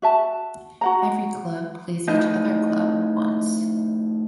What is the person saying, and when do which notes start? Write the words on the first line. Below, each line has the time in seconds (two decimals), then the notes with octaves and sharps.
Every club plays each other club once.
0.02 F#4 E5 A5
0.81 F#4 F#5 A#5
2.08 A2 F3 D#4